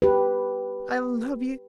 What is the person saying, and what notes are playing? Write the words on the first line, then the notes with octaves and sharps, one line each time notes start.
I love you!
G4 B4